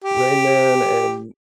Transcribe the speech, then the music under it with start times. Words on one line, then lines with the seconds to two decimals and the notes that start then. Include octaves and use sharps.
Rain Man and
0.04 G4